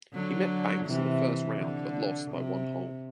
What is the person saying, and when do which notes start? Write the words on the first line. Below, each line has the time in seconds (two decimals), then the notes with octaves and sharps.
He met Banks in the first round but lost by one hole.
0.13 D3 F#3
0.86 C3 E3
1.58 D3
2.31 C3